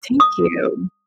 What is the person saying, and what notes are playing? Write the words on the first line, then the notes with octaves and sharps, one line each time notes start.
Thank you.
D#6